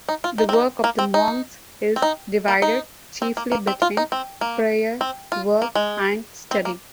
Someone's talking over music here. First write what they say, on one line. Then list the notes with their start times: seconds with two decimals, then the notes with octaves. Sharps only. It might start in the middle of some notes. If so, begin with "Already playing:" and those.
The work of the monks is divided chiefly between prayer, work and study.
0.09 D#4
0.24 F4
0.38 D#4
0.49 C4
0.53 D#4
0.84 A#3
0.99 C4
1.14 D#4
1.96 C4
2.02 D#4
2.48 A#3
2.62 D#4
3.22 C4
3.37 A#3
3.52 A#3
3.67 C4
3.82 F4
3.97 D#4
4.12 C4
4.41 A#3
5.01 C4
5.32 F4
5.62 A#3
5.75 G#3
6.51 C4
6.65 A#3